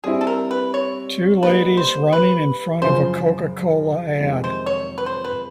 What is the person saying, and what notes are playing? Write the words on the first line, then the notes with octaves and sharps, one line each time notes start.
Two ladies running in front of a CocaCola ad.
G3 C4 E4 G#4
A4
A#4
B4
C#5
G3 A#3 D#4 B4
C5
B4
F#2 C#3 F3 C5
F2 C3 D#3 G#3
C5
C#5
B4
C5
B4